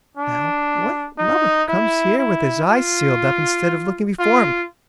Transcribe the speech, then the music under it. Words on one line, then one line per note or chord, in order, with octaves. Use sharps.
Now, what lubber comes here with his eyes sealed up instead of looking before him?
D4
D#4
E4
E4
F4
F4